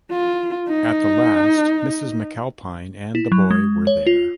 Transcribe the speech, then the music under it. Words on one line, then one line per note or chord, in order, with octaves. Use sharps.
At the last Mrs. McAlpine and the boy were there.
F4
D#4
E4
F#3
G#3
C#5
F4